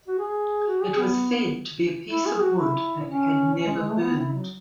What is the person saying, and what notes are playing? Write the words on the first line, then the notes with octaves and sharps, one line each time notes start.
It was said to be a piece of wood that had never burnt.
F#4
G#4
F#4
G#4
B3
E4
G#4
F#4
E4
C#4
C#4
G#3
G#3
A3
B3
E4
F#3